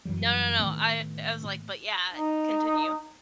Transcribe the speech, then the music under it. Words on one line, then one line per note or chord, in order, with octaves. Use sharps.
No no no, I I was like but yeah, continue.
F#2 E3 F#3 G3
A2 D#3 A3 B3
D#4